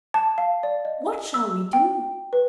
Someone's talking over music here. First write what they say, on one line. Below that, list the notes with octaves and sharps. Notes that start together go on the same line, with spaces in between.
What shall we do?
A5
F5
D5
D#5
E6
G5
B4